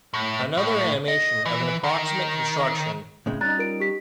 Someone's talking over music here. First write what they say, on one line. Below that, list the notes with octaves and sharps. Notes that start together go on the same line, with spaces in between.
Another animation of an approximate construction.
A2
A2
D#5
E3
D#3
A2 C#3 G#3
G3 C#4 D#4 A#5 F#6 A6
F4 A#4 D7
G4 B6